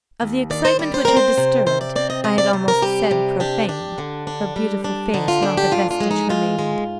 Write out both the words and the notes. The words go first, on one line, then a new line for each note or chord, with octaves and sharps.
Of the excitement which had disturbed--I had almost said, profaned--her beautiful face, not a vestige remained.
D#2
D#3 D5
C5
G3 D5
C5
C4 A#4
C5
C3
C3 C5
D5
C4 D5
D#5
C3 D#5
D5
C3 C5
A#4
G3 G4
C3
D4 G4
D4 G4
D3
D4
G3
D4
D3 D#4
F4
D4 G#4
G4
G#2 F4
F4
G#3
D#4
G#2 F4
G#3